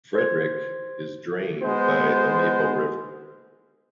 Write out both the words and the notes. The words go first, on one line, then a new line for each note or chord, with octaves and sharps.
Frederick is drained by the Maple River.
C5 G#6
G#3 B3 C5